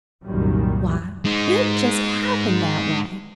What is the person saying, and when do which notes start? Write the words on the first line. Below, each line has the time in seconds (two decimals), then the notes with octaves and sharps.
Why, it just happened that way.
0.24 C2 F#2 A#2 D#3 G3
1.25 G#3 D#4